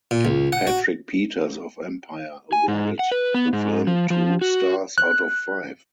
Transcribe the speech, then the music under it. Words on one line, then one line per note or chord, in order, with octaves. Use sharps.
Patrick Peters of "Empire" awarded the film two stars out of five.
A#2
C#2
F#5
F#4
G#5
G#2
F#5
B4
B3
G#2
F3
F3
F#4
F#6